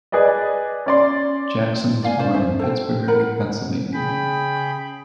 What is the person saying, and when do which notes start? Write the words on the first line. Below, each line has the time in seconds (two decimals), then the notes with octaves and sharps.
Jackson was born in Pittsburgh, Pennsylvania.
0.12 G#4 B4 D5 D#5
0.86 C#4 D5 C6
2.03 D5 F5 G#5
2.19 C#4 F4 C5 D5
2.33 C5 E5
2.59 A4 C5 G5
3.08 A#4 F#5 B5
3.94 C#3 G#4 G5 B5